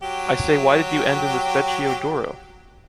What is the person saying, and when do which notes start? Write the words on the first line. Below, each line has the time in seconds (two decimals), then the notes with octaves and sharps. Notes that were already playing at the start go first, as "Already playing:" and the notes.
I say why did you end in the Specchio d’Oro?
0.03 F#3 G4